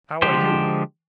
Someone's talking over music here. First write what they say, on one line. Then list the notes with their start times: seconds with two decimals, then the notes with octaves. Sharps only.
How are you!
0.22 D3 F3 G#3 G4 C5